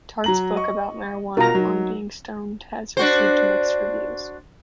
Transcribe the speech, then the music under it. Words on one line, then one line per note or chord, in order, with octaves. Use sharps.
Tart's book about marijuana "On Being Stoned" has received mixed reviews.
F#3 A#5 F#7
D#5 C#6
B2 F4 A#4 A#5
F#3 D#4
D4 F#4 C5